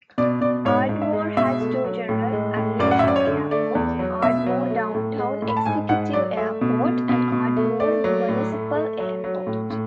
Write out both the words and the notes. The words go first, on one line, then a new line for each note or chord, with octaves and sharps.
Ardmore has two general aviation airports, Ardmore Downtown Executive Airport and Ardmore Municipal Airport.
B2 D5
B2 D5
G#2 C#5
G#2
E5
G#3
B2 E5
A3
F#3
A2
G#3
A2
F#2 D5
F#5
E5
F#2 D5
C#5
D3
A3 D5
E2
F#3
B2 E5
F#3
A3
A2
G#3
A2
B5
A5
G#2 G#5
G#2 F#5
F#3 D5
A3 E5
B2
B2
B2
B2
A3
A3 D5
F#3
A2
A3
A3
F#3
F#3
A2
A2